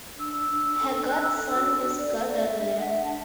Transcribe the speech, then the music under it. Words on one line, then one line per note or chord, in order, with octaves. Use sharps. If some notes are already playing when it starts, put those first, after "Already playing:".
Her godson is Gordon Lam.
D4 E6
D4 E6
D4
D4
A4
D4
A4 F#6
A4 E6
D4
F#4
D4
F#4
A4 D5
A4 E5
A4 D5
A4 E5
D4 E5
D4 F#5
D4 E5
D4 A5